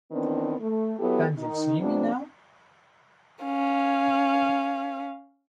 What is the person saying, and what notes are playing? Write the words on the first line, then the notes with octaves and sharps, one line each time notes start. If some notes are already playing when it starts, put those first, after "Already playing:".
Can You See Me Now?
D#3 E3 B3 C4 D4
A3
F#3 B3 E4 G4 A4
D#3 D#4
F2 C3 F3 B3 D4
C#4 F5